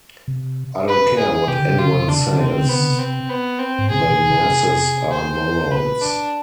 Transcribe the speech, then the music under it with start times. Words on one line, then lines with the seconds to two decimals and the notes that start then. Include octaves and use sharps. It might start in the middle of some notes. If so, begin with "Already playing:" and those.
I don't care what anyone says, the masses are morons.
0.28 C3
0.88 B4
1.18 G#4
1.48 C3 G4
1.60 D3
1.72 C3
1.79 F4
1.84 D3
1.95 C3
2.07 D3 D4
2.19 C3
2.31 D3
2.38 C3 C4
2.55 D3
2.67 C3 B3
2.78 D3
2.90 C3
2.99 C4
3.29 B3
3.59 C4
3.79 G#2
3.90 B2 G#4
4.10 B2
4.30 C3
4.50 C3
5.11 C5
5.71 B4
6.02 D4